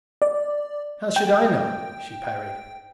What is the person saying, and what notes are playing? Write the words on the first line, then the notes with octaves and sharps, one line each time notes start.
"How should I know?" she parried.
D5
G5